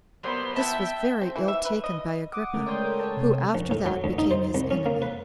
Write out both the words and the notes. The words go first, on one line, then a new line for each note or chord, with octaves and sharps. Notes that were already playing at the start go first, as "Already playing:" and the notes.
This was very ill taken by Agrippa, who after that became his enemy.
F#3 G3 A#3 B3 C5
B3 E4 E5 G5 A5
C4
E3
E5
B4
D#5
F#5 D6 D#6
C#3 G#3 A3 A#4
C#5 D5 G5 C6 D#6 G6
A4 A#4
C#5 A5
C3
A#1
A2
F#3
D2
D#4
C5
C2
C#4
A#3
B4